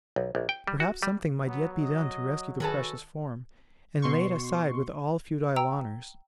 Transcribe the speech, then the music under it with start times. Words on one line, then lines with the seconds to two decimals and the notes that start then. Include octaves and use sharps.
Perhaps something might yet be done to rescue the precious form, and lay it aside with all futile honours.
0.16 B1
0.35 A#1
0.49 G5
0.67 G3
0.80 F#4
1.03 G3
1.46 F#3 B3
1.78 D#5
2.60 D#3 F#4 G#4 A4 B4 A5
4.02 B2 C6 C#6
5.56 G5 A#5 E6